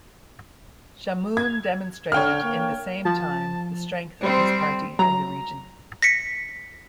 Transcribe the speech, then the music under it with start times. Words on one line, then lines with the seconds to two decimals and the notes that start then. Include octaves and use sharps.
Chamoun demonstrated in the same time the strength of his party in the region.
1.37 G#6
2.12 D3 C#5 G5 F6
2.44 A#3
3.05 F3 A5
4.21 G3 C4 C5
4.99 F#3 A#5
6.02 A#6 B6 C#7